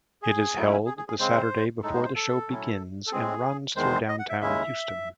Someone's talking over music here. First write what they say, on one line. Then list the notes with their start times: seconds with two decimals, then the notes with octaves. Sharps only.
It is held the Saturday before the show begins and runs through downtown Houston.
0.22 G#4
0.55 A2 F#3 A3 C#4 E4
0.86 G#4
0.97 G#4
1.08 G#4
1.19 C#3 G#3 C4 C5
1.83 A2 G#3 D#4 A4
1.94 C5
2.04 C5
2.15 A4
2.48 A2 F#3 C#4 E4
3.06 A4
3.12 A2 G#3 C4 G#4
3.76 E2 D#3 G#3 C5
4.08 D#5
4.19 F#5
4.29 E5
4.41 D#2 C#3 G#3 C#4 E4 E5